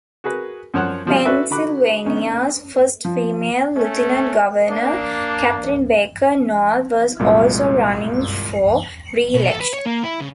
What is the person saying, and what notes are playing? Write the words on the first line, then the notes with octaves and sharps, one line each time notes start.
Pennsylvania's first female Lieutenant Governor, Catherine Baker Knoll was also running for re-election.
F#4 G#4 A#4 B4
F#2 F3 C#5 F#5 F#6
B2 F3 G3 F5
C#4 F#4 A4 B4 D5 E5
D3 F#4 B5 D6 F#6
D3 B3 C#4 D#4
F3
A3 C#4
A#3 D4
C2 F#2 A#2 G#3
B2
A4
B4
C#5
A#3
E4
C#3